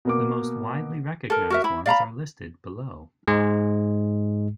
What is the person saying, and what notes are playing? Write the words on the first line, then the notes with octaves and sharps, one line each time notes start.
The most widely recognized ones are listed below.
B2 A#3 D6
A4 A#4
F#4 A#4 E5
E4 B5
D5 F5 A#5 B5
G#2 G#3